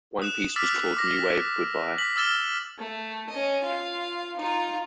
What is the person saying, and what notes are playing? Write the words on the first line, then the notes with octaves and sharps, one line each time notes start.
One piece was called "New Wave Goodbye".
D#6 F#6 E7
D6 E6 F6 A6 B6
D6 A#6
B6 F#7
D6 E6 F6 A6 E7 G7
A3
C#4 D#5
F4 F5
D#4 F4